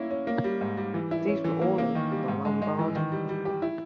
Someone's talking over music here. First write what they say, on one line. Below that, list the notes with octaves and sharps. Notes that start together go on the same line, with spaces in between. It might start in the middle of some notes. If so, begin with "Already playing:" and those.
These were all linked to the Lombardy cluster.
Already playing: A#3 C#4 E4
C#4
A#3
G3
G#2
G3
E3
E4
C#4
E3
A#3
A#3
D#3
G3
G#2
G#3
G#3
E3
D#3
G3
G3
G4
E4